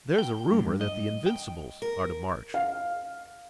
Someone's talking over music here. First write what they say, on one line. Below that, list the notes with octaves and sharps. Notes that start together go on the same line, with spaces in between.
There is a rumor that the Invincibles are to march.
G5
G2
D#5
G5
A#4
F5